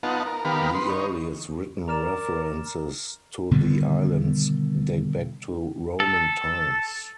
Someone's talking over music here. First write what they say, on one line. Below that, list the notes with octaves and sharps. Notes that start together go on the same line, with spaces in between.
The earliest written references to the islands date back to Roman times.
B3 D#4 F4 F#5 A5
A#4
D#3 B3 G4 A#4 F5 B5
B4 C6
D#4 C#5
A#4 D5 A#5 F6 E7
B2 D3 D#3 G3
A4